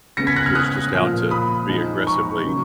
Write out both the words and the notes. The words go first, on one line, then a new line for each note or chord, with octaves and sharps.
was just out to be aggressively
C#3 G#3 B3 A#6 C#7
G#6 B6
F#6 A#6
F6 G#6
D#6 F#6
A#2 F3 A#3 F4
B5 D#6
F3 G#3 D#4
A#5 C#6
C#3 F#3 A#3